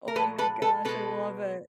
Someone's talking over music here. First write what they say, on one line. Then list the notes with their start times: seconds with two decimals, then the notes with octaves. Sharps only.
Oh my gosh, I love it.
0.08 A#4
0.15 A#2 F3 G#3 A4 B4
0.38 A4 B4
0.62 A4 B4
0.85 B2 G#3 A4 B4